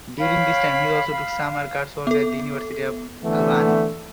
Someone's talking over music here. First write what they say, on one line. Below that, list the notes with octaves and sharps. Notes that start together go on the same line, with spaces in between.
During this time he also took summer coursework at the University at Albany.
C#5 F5 G5 B5
F5
B3 A4
D3 E3 A3 B3